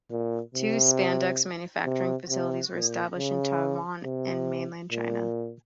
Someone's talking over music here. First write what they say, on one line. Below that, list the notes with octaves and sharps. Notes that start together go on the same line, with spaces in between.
Two spandex manufacturing facilities were established in Taiwan and mainland China.
A#2
C3
C3
C3
A#2
C#3
C3
A#2